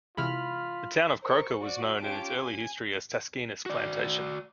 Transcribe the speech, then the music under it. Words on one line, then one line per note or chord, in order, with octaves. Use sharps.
The town of Croaker was known in its early history as Taskinas Plantation.
C3 E3 G#3 F4 B5 F6
A#4 C5 C#6
F#4 D5
C#4 F4 G4 A5 D7
G#5
F#4 D5